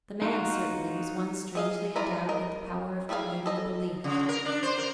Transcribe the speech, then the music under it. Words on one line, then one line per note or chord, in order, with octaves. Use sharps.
The man, certainly, was one strangely endowed with the power of creating a belief.
D#4 F4 F#4
G#4 D#5 F5
E4 F4 D5 G#5 A#5
A#4 D#5
G3 E4 G#4 A4 F5
A4 D#5
C#3
A#4
D4
C5
A#4